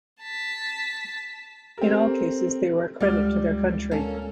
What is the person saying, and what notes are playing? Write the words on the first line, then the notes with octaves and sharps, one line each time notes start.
In all cases they were a credit to their country.
A5 B6
C4 G4 A4 A#4
D2 G3 G#3 F4 D5 F6
A#3 C#4 A4 A#4